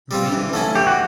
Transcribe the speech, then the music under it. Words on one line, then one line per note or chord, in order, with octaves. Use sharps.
Ring a dong!
G3 C4 F4
E3
A3 C#4 E4
E3 G4
F#4